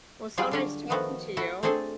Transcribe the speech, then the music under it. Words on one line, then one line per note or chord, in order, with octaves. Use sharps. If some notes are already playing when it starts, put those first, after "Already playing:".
Well, so nice talking to you.
F#3 G3 F4 G#4 D5
D3 D4 C#5
D#3 F3 A3 B3 F#4
E4 F#4 A4
A3 C4 D4 G#4 A4 G#5